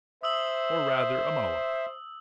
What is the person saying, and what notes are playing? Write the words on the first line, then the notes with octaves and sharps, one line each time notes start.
Or, rather, a monologue.
C5 E5 D#6 E6 F#7